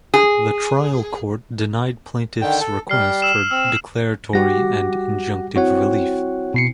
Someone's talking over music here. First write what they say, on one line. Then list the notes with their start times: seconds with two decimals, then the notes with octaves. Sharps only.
The trial court denied plaintiffs' request for declaratory and injunctive relief.
0.14 G#4
2.42 D3 D#3 G5
2.61 A4
2.89 G3 F6 C7
3.22 E6 E7
3.51 C4 E6
4.33 G3 F#4 G4 F#5 A#6
5.56 C4 E4 F#4 C#5 F#5
6.54 B2 C7 C#7